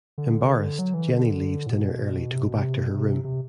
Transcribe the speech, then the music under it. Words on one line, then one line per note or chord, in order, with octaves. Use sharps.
Embarrassed, Jenny leaves dinner early to go back to her room.
D3
F#3
E3
D3
A2
B2
C3
B2
C3
B2
C3
C3